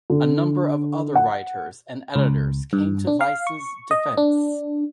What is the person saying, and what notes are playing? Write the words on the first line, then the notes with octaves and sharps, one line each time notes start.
A number of other writers and editors came to Vice's defense.
D3
F#5
C#2
G2
D4
F5
C#6
D#5
D4